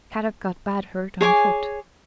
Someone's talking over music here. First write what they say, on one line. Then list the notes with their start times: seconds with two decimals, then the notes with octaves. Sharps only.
Kadok got bad hurt on foot.
1.21 G#4 C#5 G#5 D6